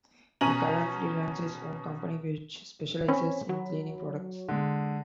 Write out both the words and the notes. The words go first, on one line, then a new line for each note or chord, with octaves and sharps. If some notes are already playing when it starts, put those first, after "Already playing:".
He currently runs his own company which specializes in cleaning products.
B2 C#4 G#5 A#5 D#7 F#7
C4 C#4 B5
F#3
D3 G#3